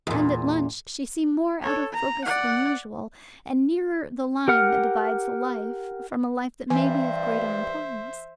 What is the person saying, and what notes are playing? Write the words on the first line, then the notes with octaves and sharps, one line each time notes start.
And at lunch she seemed more out of focus than usual, and nearer the line that divides life from a life that may be of greater importance.
E2 A#2
A4 C#5
A#5
D5 F#5
G4 A#4 F#5 F6
G2 E3 C5 E5 G#5